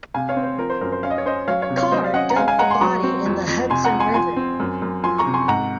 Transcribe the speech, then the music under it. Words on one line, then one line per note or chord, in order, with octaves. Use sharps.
Carr dumped the body in the Hudson River.
C3 F5 G#5
C#5 F5
C4
C5
F3 A#4
C5
F#2 A#4
C5
C#4 F5
D#5
C#5
C#4 C5 D#5
F#3 C#5 F5
C#5 F5
C3
C#5 F5
F#3 C5 D#5
F5
C#4 D#5 F#5
A#5
G#3 F5 G#5
F5 G#5
G#3 F#5 A#5
G#5 C6
F#3 A#5 C#6
C4
F2
F2
C3 G#5 C6
F#5 A#5
F3
G#5 C6
F3 G#5 C6
C4
F#2
F#2
F3 G#5 C6
A#5 C#6
C3
G#5 C6
G#2 F#5 A#5